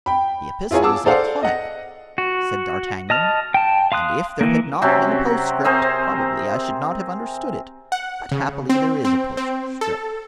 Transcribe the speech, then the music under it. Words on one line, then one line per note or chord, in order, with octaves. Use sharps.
"The epistle is laconic," said D'Artagnan; "and if there had not been a postscript, probably I should not have understood it; but happily there is a postscript."
G5 B5
E4 F4 G#4 C#5 G#5
G#4 F#5 A5 D6 E6
G#4 A4 C5 D5 F5 F#5
D#5 F#5
F#4
D#5 A5 F6
G5 A5
F5 C6 D#6 F#6
E3 A#3
C3 F#3 C4 C#4
C4 G#4 A#4 C5
F#5
C#3
C4
C4
C4
A4